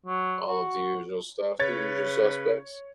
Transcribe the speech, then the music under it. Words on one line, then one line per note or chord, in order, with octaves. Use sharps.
All of the usual stuff the usual suspects.
F#3
F#4
C#3 B4 C#5 G#6 A6